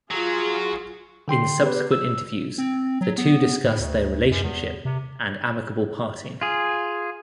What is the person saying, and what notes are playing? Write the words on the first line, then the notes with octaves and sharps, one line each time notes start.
In subsequent interviews, the two discussed their relationship and amicable parting.
F#3 F4 G#4
D3 G5 C6 C7
B3 G4 B4
E6
C4
F#3
B3
A2
D2
F#2
E2
C3
F4 G#4